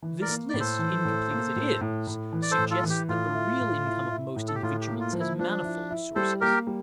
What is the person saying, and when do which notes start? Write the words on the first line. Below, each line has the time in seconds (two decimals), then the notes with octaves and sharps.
This list, incomplete as it is, suggests that the real income of most individuals has manifold sources.
0.02 E3
0.21 A#4 D5
0.28 A#3
0.49 A2 D5
0.60 A4 C5
0.79 E3
1.05 A2
1.30 A#3
1.56 A2
1.81 A2
2.07 A2
2.33 E3
2.42 D5
2.51 A4 C5
2.58 A2
2.71 F4 A4
2.84 E3
2.90 G4
3.09 A2 F4
3.34 E4
3.61 A2
3.86 E4
4.11 E4
4.36 A2
4.48 A4
4.55 G4
4.63 A2 F4
4.81 G4
4.88 A#3
5.00 F4
5.13 F3
5.20 E4
5.39 F3 D4
5.65 E4
5.90 E4
6.15 G3 A4 C5
6.41 A#3 G4 A#4
6.67 G3